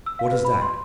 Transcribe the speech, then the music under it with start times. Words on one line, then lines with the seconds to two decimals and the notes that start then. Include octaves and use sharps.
"What is that?"
0.06 E6
0.19 F5
0.31 B4
0.45 B5
0.62 C6